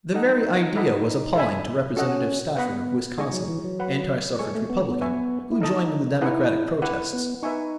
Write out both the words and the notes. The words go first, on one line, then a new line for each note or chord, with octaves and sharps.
The very idea was appalling to Representative Stafford of Wisconsin, anti-suffrage Republican, who joined in the Democratic protests.
D#4 A4 D#5 F#5
E4 A4 D#5 F#5 B5
A4 E5 G#5 B5
C#4 F#4 A4 D#5 F#5
B3 B4 D#5 F#5 B5
G#3 D#4 G#4 D#5 G#5 C#6
F#3
E3
F#3
B4 F#5 B5
G#3 A4 C#5 G#5 C#6
A3
B3
B3
B4 E5 G#5 C#6
E4
D#4 A4 D#5 A5
D#4 E4 G#4 B4 F#5
E4 B4 F#5
B3
D#4 B4 E5 G#5 C#6